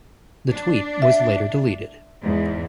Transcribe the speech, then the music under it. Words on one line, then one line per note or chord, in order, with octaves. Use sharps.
The tweet was later deleted.
D4
E5
E2 G#2